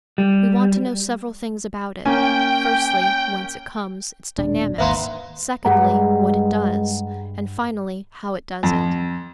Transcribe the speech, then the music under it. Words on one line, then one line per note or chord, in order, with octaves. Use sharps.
We want to know several things about it; firstly, whence it comes, its dynamics; secondly, what it does; and finally, how it does it.
G3
A#3 C#4 G5 G#5
D#1 B2 D4
G#1 D#2 A#3 B3 E5 A#5 C6
G2 G#3 G#4 F#5 A#5
F2